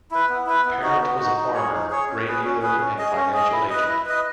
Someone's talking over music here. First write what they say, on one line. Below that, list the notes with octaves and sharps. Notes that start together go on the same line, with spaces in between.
Parent was a farmer, grain dealer and financial agent.
E4 B4
B3
E4 B4
B3
D#4 F#4
B3
D#4 F#4
D#4
G#4 C#5
D#4
G#4 C#5
C#4
G#4 B4
C#4
G#4 B4
C#4
G#4 D#5
C#4
G#4 D#5
E4
B4 D#5
E4
B4 D#5